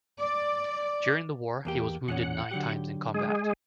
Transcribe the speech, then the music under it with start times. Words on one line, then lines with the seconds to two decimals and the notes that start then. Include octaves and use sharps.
During the war he was wounded nine times in combat.
0.19 D5
1.65 E2 A#3 G4
2.08 E2 A#2 C#4 F#5
2.51 D3 F#3 G4
3.14 G#3 G#4